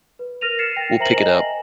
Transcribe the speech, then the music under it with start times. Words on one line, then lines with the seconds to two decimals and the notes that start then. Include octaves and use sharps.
we'll pick it up,
0.19 B4
0.41 A#4 F6 A#6 D#7 F7
0.59 A6 C7 C#7 E7
0.77 G5 A#6
0.99 A#4 C5 E5 A#5 A#6 F#7
1.16 D#5 G#5